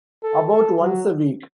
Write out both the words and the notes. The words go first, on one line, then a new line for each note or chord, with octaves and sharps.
About once a week.
A4
A4
F#3